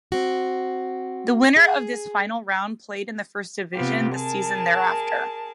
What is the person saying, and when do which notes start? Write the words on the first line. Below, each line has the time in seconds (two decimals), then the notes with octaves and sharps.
The winner of this Final Round played in the First Division the season thereafter.
0.12 C4 F#4
1.56 G#4
3.73 C3 B3 F4 G4
4.16 G#4 A#4 A5